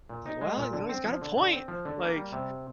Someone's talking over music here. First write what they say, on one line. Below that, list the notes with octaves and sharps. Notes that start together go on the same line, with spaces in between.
like, "well, you know, he's got a point, like"
A#2
D#4
G#3
A#2
D3
C4
F3
D3
D3
C4
F3
D3
A#3
G3
C3